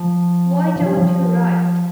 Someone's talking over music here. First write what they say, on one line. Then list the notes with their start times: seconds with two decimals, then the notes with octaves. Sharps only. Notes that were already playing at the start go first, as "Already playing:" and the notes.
Why don't you write?
Already playing: F3
0.76 F3
0.85 G3
0.97 F3